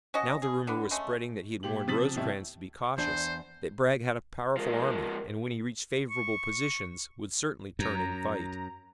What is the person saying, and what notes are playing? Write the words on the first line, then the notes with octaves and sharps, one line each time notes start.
Now the rumor was spreading that he had warned Rosecrans to be cautious, that Bragg had a powerful army and when he reached favorable positions, would certainly turn and fight.
C#4 F#4 D#5
G#4
D3 B3 D4
G#3 A3 C#4
A#2 G4 F#7
C3 F3 D#6 A6 B6 F#7
F2 A2 C3 G3 E4
E2 D4 C5
F3 G#3 A#4
C#6
F#2 A#5